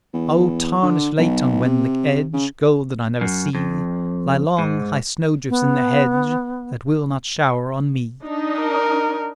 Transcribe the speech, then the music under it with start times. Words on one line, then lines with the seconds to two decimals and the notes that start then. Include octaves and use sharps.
Oh tarnish late on Wenlock Edge, Gold that I never see; Lie long, high snowdrifts in the hedge That will not shower on me.
0.14 E2
0.82 D3
1.18 B1
1.65 C3
2.33 C#3
3.21 F#2
3.55 F2
4.59 G#2
5.50 B3
8.24 D4 D#4 D#5
8.59 A#4